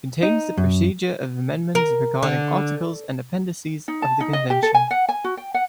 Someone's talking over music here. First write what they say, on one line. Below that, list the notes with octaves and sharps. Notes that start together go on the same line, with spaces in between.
Contains the procedure of amendments regarding articles and Appendices of the Convention.
D#4
F#2
A#4
D3
D#4
A5
D#4
D#5
G4
A4
G#5
F#5
G#5
F#4
G5
F#5